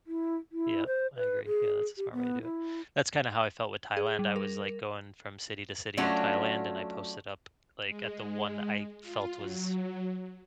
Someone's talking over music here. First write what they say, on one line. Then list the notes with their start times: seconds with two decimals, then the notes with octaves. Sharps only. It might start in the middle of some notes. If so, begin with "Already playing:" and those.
Yep, I agree. Yeah, that's a smart way to do it. That's kinda how I felt with Thailand, I was, like, going from city to city in Thailand, and I posted up, like, at the one I felt was,
0.07 E4
0.52 E4
0.87 C5
1.17 B4
1.46 G#4
1.97 G4
2.13 B3
2.43 E4
3.97 G#4
4.19 G3
4.36 A#4
5.97 F#3 A3 C#4 D4 F4 F#4
7.87 G#3
9.02 F4
9.35 F#3